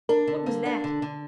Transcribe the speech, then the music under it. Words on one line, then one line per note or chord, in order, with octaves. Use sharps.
"What was that?"
D4 A#4
D3
A#3
D4
D3
D3